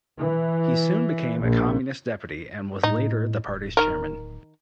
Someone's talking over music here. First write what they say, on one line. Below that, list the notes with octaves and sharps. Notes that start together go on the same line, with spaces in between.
He soon became a Communist deputy and was later the party's chairman.
E3
A#1
A2 D#4
D1
D#3 A#4